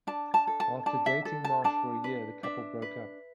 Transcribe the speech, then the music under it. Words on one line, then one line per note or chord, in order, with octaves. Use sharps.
After dating Marsh for a year, the couple broke up.
D4 A5
A5
A4
A5
D4 A5
E5
A4
A5
D4 A5
B4
D4 E5
B4